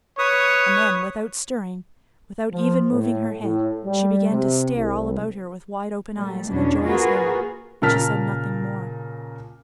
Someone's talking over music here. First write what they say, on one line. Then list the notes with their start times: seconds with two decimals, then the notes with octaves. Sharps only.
And then, without stirring, without even moving her head, she began to stare all about her with wide-open eyes and a joyous air, and she said nothing more.
0.19 B4 C#5 D#6
2.52 F3
2.91 A2
3.41 A2
3.85 G3
4.30 C3
4.74 C2
6.15 A#2 G3 A3
6.49 E2 B2 C#4 D4
6.85 A#3 F4 F#4 G#4 A#4 B4
7.82 A#2 C#3 A#4 A5 F6 B6